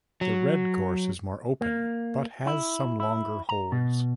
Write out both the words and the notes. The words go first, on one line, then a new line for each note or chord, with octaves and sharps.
The red course is more open, but has some longer holes.
F#3
A#3
E4
E4
A#5
B2